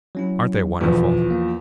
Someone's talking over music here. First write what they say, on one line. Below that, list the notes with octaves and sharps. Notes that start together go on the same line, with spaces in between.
"Aren't they wonderful?"
F#3 C#4 E4
E2 B2 D3 F3 E4
A#3